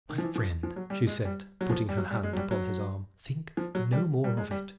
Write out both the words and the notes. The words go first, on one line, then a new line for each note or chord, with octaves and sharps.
"My friend," she said, putting her hand upon his arm, "think no more of it."
D#3
F3
E3
F3
F3
F#3
G3
G#3
G3
F#3
F3
G3
F#3
G3
G#3
F#3
G3
F#3
F3
F#3
G3
G3
G#3
G3